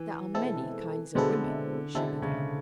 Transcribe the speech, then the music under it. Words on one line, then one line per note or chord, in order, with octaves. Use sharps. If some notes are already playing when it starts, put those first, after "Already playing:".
"There are many kinds of women," she began.
Already playing: E3
B2 G#3 C4 E4 A4
B2 D3 G#3 C4 E4 A4
B2 D3 G#3 C4 E4 A4
C#3